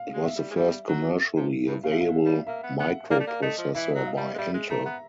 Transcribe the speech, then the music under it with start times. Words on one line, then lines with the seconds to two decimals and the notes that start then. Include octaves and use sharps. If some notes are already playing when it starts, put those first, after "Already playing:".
It was the first commercially available microprocessor by Intel.
Already playing: F5
0.13 G#3
0.24 E5
0.35 G3
0.51 G#3
0.56 G3
0.88 F#3
1.36 C3
1.67 G2
1.83 C#3 F5
1.91 E5
2.01 D3 F5
2.25 G3
2.47 A#3 E5
2.63 B3
2.79 B3 F#5
3.10 A#3 D5
3.20 A3
3.27 A#3
3.42 A3 D#5
3.58 F3
3.75 E3 E5
3.95 F#3
4.06 F5
4.17 G3
4.34 G#3
4.38 G3 E5
4.54 G#3
4.70 A3 A#5
4.85 B3